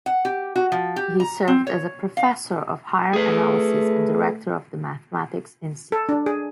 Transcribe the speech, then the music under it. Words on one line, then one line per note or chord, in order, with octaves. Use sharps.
He served as a professor of higher analysis and Director of the Mathematics Institute.
F#5
G4
F#4
F3
G4
A#5
C4
C#5
F5
A3 G#4 B4
A4
D4
G#4